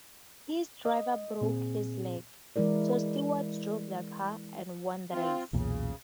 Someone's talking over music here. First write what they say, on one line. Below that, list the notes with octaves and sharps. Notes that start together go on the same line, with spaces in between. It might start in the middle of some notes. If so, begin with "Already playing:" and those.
His driver broke his leg, so Stewart drove the car, and won the race.
D#5
A#2 C4 G#4
E3 G#3 E4 A#4 D5
C4 F4
B1 E2 A#2 C#3